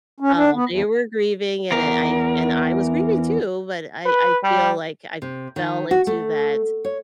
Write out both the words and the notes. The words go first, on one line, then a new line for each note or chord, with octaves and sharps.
um, they were grieving, and, uh, I and I was grieving too, but I I feel like I fell into that,
C#4
D4
B3
E2
E2 A#4
B4
G3
C3
D#3
F#4
A3
C#5